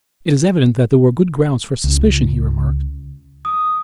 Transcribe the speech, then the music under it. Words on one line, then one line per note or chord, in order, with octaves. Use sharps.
"It is evident that there were good grounds for suspicion," he remarked.
C#2
D#6